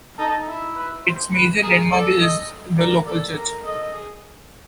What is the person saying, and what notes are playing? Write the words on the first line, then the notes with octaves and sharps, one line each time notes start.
Its major landmark is the local church.
D#4 A4
E4
B4
C5
B4
G#4 A#4
A4 D5
D#5
A#4 D5
A4 D5
A#4
A4 D#5
G#4